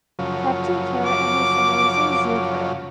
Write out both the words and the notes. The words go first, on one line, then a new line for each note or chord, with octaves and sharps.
Captain Carrot and His Amazing Zoo Crew!
F#2 C#3 F3
D6